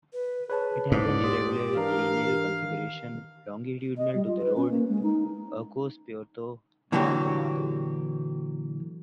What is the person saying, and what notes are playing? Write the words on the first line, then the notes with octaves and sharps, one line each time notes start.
It has an irregular lineal configuration, longitudinal to the road, Urcos Puerto Maldonado.
B4
G#4 B4 C#5 A5
G#2 E4 D5
G4 C6 D#6
E3 D4 A#4 F5
D#3
D#5
G3
F4
B4
C#4
A#3
G#3
D#4
A#2 D3 E3 F#3 F#4 G4